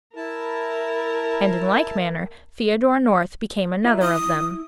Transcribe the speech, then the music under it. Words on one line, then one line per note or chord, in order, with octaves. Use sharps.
And, in like manner, Theodora North became another of them.
E4 A#4 A5
F4 A#4 E5
E4 D#6